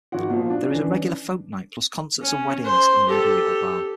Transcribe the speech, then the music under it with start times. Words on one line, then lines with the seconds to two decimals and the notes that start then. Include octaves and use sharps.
There is a regular folk night plus concerts and weddings in the medieval barn.
0.12 G#1 F4 F#4 F#5
0.30 A#2 F3
0.50 D4
0.71 E3 C#4
2.21 C#4
2.65 C5
3.07 G4 A4